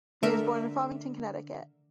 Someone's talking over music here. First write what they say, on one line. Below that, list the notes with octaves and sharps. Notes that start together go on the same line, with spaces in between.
He was born in Farmington, Connecticut.
D3 A3 A#4 E5